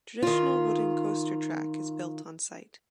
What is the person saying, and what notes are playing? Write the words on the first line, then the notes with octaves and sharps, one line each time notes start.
Traditional wooden coaster track is built on site.
D#3 F4